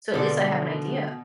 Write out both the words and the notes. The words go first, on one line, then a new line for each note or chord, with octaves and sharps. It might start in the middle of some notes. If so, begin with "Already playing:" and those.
so at least I have an idea?
D2 B2 A4 D5